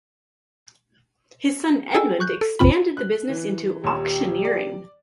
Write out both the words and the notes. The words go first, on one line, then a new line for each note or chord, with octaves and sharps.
His son Edmund expanded the business into auctioneering.
G#4 A4 G5 G#5 E6
C#6 F#6 G6
A4
A#1 F2 C3 C4 F4 B5
F#6
E3
D#1 G4 C#5 E7
D5